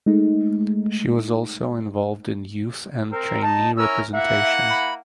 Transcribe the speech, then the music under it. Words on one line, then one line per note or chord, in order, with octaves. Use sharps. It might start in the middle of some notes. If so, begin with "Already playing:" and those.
She was also involved in youth and trainee representation.
G#3 A3 D#4
C4 A#4
D#4 A5
C#4 E4 A#4 E6
A#3 E4 E5 F#5
B5